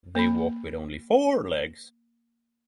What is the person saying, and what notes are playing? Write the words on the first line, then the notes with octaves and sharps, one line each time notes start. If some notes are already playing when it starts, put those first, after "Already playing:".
They walk with only four legs.
A#3 B5